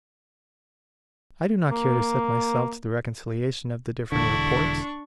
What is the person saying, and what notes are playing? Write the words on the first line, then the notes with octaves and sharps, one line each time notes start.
I do not care to set myself to the reconciliation of the differing reports.
A#3
E1 D3 D4 E4 C#6